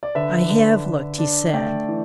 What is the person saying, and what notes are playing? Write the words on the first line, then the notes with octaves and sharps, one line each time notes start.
"I have looked," he said.
D5
D3 B4 E5
D3
D3
D4
A3 D5 G5
E3